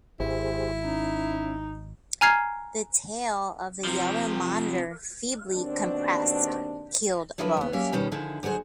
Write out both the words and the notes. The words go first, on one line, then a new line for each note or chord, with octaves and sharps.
The tail of the yellow monitor feebly compressed, keeled above.
G#1 E4 G4 G#4 C5
C#4 D#4
G#5 A#5 F6 G#6 C7
C3 F3
D#2 B2 C4 D4
D3 F3 F#3 E4 A#4 B4
D#2 B3
F#3 A#3 C#4 G4 E5 F5
B2 D#3 G3 C#4 E4
D3 D#3 F3 E4 G#4
D2 F#3 F#4 G#4 C5